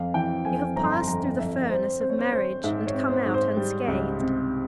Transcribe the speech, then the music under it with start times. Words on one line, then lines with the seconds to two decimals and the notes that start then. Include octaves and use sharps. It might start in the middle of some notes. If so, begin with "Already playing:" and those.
You have passed through the furnace of marriage and come out unscathed.
Already playing: F2 F5
0.14 E3 G5
0.45 F2 G#5
0.76 G1 A#5
0.84 C6
0.92 A#5
1.08 F2 A#5
1.38 F2 E5
1.70 C4 C5
2.01 C4 C5
2.10 C#5
2.19 C5
2.32 C4 C5
2.64 G#2 E5
2.87 C#5
2.94 C4
3.10 C5
3.26 G#2
3.34 C5
3.57 G3
3.88 C#2
4.19 C3